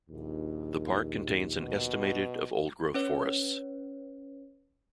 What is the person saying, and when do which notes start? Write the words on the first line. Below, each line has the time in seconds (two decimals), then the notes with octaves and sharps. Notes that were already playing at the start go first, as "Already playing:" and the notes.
The park contains an estimated of old-growth forests.
0.10 A#1 D#2
1.60 B2
2.94 C#4 B4 C#5